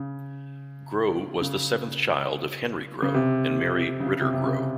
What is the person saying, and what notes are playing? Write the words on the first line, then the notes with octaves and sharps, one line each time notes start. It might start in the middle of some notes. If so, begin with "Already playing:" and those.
Grow was the seventh child of Henry Grow and Mary Riter Grow.
Already playing: C#3
C#3
C#3
C3
C#3
C3
C3
C#3